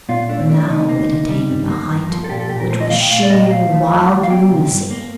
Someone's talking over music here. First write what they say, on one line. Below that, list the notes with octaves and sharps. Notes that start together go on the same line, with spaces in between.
Now it attained a height which was sheer wild lunacy.
A#2 F4
A3 D4
C4
A3 D4
D4
C3 D#4
A#3
C3
G3
G2
A#3
G2
F3
A4
A#2 G4
A4
A#2 G4
A#4
A3 C5
D#5
A3 F5
G5
A#2 F5
D5
A#2 D#5
G5
A3 F5
A3
F2
G3
F5
A#3 G5
C3
G2
A#3